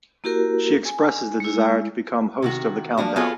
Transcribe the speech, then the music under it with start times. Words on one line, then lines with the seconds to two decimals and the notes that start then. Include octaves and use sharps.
She expresses the desire to become host of the countdown.
0.24 A#3 E4 F#4 G4 A#4
0.85 G#5
1.40 G#3 E4
2.42 C3 D#3 F#4
2.98 F3 A#3 D4 F#4
3.16 B3 F4 F#4 G#4 A4 C#5